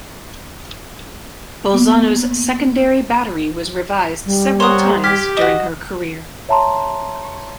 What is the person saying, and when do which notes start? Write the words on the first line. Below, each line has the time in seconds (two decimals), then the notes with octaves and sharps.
"Bolzano"s secondary battery was revised several times during her career.
1.73 A#3 B3
4.25 G3
4.60 A#4 C5 C#5 F#5 C6 D#6
5.04 G4 F6 G#6 B6
5.37 F#4 D#5
6.49 C#5 E5 A5 A#5 C6